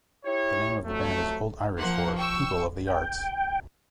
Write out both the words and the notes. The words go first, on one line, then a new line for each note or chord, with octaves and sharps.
The name of the band is Old Irish for "people of the arts".
E4 G4 C#5
F2 F#3 A3
F3 A#3 F#5 C6
G5 C#6 E6
G5